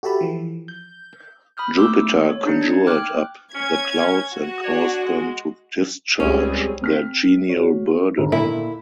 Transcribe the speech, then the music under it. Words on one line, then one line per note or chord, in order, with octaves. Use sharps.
Jupiter conjured up the clouds and caused them to discharge their genial burden.
F#4 G4 A4 E5 A5 B5
E3 F3
G6
B5 D#6 F6 G6
A3 C6 D6 E6
C#5
D4 D#4 C#7
G#6
G5 D6 F6 F#6
C#4 G#6
F#4
D4 C#5 D5
G#3
C#2 G3 C4 C#4 G#4
C4 F6 B6
F#4 C#5
G1 G#2 D#3
A#2 A#3 E4 A4